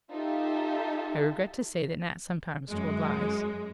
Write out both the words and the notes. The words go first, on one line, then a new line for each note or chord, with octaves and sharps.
I regret to say that Nat sometimes told lies.
D#4 F4 G4 A4 E5
F#2 G#3